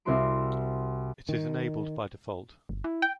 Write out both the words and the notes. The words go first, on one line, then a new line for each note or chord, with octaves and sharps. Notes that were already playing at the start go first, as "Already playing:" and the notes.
It is enabled by default.
C2 C4 F#4 F5 C6 D7
D#3
G1
E4
G5